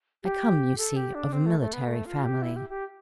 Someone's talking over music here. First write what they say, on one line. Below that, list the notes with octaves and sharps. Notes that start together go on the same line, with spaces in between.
I come, you see, of a military family.'
G4
A4
G4
D4
C4
A3
A3
B3
A3
F4
G4
E4
G4
G4